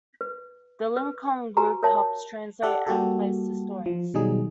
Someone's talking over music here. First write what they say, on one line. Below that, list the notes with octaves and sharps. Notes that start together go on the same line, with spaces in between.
The Lincoln Group helps translate and place the stories.
B4
B4
F#4 G4 B4 G#5 A#5
A#4 C#5 E5 A5
G4 A4 D5 F#5
G3 A#3 F#4 G4 A4
F3
B2 D#3 F#3 G3 D#4 G#4